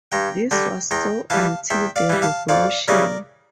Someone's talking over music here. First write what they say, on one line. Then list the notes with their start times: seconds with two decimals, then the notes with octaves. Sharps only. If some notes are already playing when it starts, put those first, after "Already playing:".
This was so until the Revolution.
0.12 G2 G5 A#5
0.51 D3 G3 G5 A#5
0.91 E2 G5 A#5
1.30 E3 G3 F5 A5
1.70 E2 E5 G5
1.96 D5 F5
2.10 E3 G3
2.22 F5 A5
2.49 F2 D5 F5
2.88 C#3 E3 G3 A#4 D5